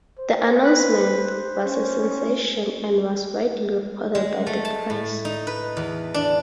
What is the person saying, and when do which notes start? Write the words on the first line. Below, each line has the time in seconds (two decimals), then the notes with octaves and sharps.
The announcement was a sensation and was widely reported by the press.
0.19 C5
0.63 B4
1.65 C#4
4.15 G#3
4.47 A3
4.65 A5
4.90 A2
5.25 D#4
5.47 B4
5.77 E2
6.14 D4